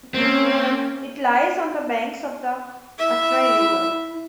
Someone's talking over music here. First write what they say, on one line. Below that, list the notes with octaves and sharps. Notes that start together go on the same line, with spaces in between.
It lies on the banks of the Atrai River.
A#3 C4 C#4
E4 E5